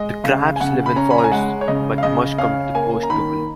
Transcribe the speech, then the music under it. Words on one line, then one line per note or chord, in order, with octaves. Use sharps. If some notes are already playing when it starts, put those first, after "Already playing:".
The crabs live in forests but must come to the coast to breed.
Already playing: G#3 D#5
C#3 F5
G#5
C#3 F#5
B5
C#4 A#5
B5
A#5
G#5
G#3 F#5
C#5
C#3 D#5
F5
C#3 D#5
C#4 F5
A#3 G#5
A#5
D#3 B5